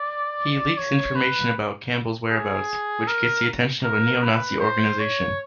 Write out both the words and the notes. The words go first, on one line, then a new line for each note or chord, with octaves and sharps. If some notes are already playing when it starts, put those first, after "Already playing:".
He leaks information about Campbell's whereabouts, which gets the attention of a neo-Nazi organization.
Already playing: D5
C#5
B4
G#4
A#4
A#4
B4
C5
C#5